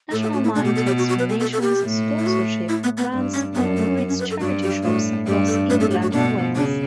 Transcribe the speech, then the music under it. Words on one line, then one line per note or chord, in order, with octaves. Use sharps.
National Mind takes donations, sponsorship, grants and operates charity shops across England and Wales.
A2 A4
A4
F#4
E4
B2 D4
G4
A4
G4
F#4
F#4
B4
A4
A4
A4
G4
A2
E4
F#4
E4
B3
B3
G2
C#4
F#2 B3
A3
B3
C#4
B4
A4
G2 F#4
G4
A2 F#4
G2 G4
A4
A2 B4
A4
G4
F#4
B2 D4
C#3 D4